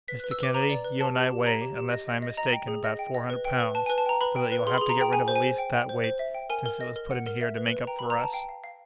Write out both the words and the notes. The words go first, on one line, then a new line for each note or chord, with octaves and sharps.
"Mr. Kennedy, you and I weigh, unless I am mistaken, about four hundred pounds--so that you'll have to get rid of at least that weight, since it was put in here to make up for us."
B4 B6
F#6
B4
E6
B4 D6
B4 A#5
D5
B4
G4 A5
G4
G4
C#5 A#5
G4
G4
D#5
D#5
D#5
D#5 A#5
G5
G#4
D#5
G5
D#5
B4
G5
B4
B4 A5
G#5
B4
A5
G5 A#5
B4 B5
G5
B4
G#4 C6
B5
C6
G#4
A#5
G#4 G5
G#4 G#5
C5
G#5
C5
G5
G5
C5
C5
E5
G5
A#4 G#5
A#4
D#5
A#4
F#5
A#4
E5
B4
B4
G5 A#5
B5
B4
A#5
G5 A5
F5 G5
F5
F5